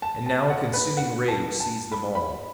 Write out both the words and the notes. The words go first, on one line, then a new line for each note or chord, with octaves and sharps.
And now a consuming rage seized them all.
A5
A5
F#5
B4
F#5
A5
A5
B5
B5